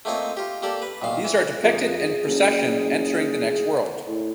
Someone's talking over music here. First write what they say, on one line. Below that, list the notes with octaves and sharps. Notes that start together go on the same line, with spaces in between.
These are depicted in procession entering the next world.
A3 A#3 C4 D#4 F4 C#5
F4 G4
A#3 G4 A4 D5
B4
B1 A#2 D#3 F5
E3
F2 G#4
F#1
A2